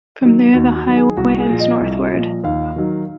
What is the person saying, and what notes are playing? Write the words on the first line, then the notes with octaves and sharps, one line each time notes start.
From there the highway heads northward.
D#3 F#3
D#2 F#4
F#4
D#3 F#3
G#4
C2 F#4
G#4
A#2 F3
D#5
C2
A#2 F3
D#2 F5
D#3 F#3